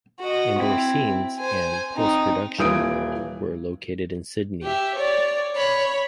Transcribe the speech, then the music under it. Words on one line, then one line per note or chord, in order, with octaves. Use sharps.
Indoor scenes and post-production were located in Sydney.
F#4 D#5
C4 E4
C5 G#5
C4 D#4
D#1 E3 D#6 D7
G4 E5
C#5 D5
C#5 B5